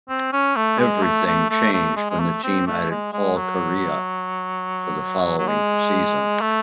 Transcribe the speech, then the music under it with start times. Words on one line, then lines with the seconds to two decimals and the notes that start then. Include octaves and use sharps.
Everything changed when the team added Paul Kariya for the following season.
0.09 C4
0.33 C#4
0.57 A3
0.79 G#3
1.03 A3
1.26 A3
1.50 A3
1.74 A3
1.97 G#3
2.10 G#3
2.20 A3
2.43 C4
2.67 A3
2.91 G#3
3.13 G#3
3.37 F#3
5.38 F#3
5.47 G#3
6.41 A3